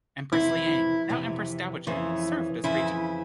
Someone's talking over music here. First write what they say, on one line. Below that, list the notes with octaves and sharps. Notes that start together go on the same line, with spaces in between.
Empress Liang, now empress dowager, served as regent.
F2 C3 E3 E4
F2 C3 E3
F2 C#3 E3
F2 C#3 E3 E4